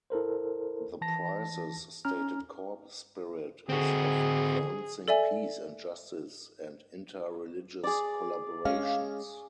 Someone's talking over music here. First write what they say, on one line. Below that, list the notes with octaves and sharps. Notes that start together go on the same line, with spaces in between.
The Prize's stated core spirit is of advancing peace and justice and inter-religious collaborations.
E4 A4 A#4 C5
E3 A5 A#6
C#4 A#5 F6
D3 C4 F#4 G#4
A4 D5 E5 G#5
G#4 D5
G#3 C#4 F5